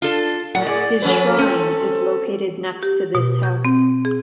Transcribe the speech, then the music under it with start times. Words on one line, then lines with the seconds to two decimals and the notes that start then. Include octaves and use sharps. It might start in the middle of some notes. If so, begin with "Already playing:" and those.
His shrine is located next to this house.
0.02 D4 F4 A4
0.55 A2 F#3 F#5
0.67 G#4 D5
1.02 F3 C#4 A4 B4
1.38 C4 C#4
2.83 G4
3.15 B2
3.43 G6
3.65 C4
4.05 G#4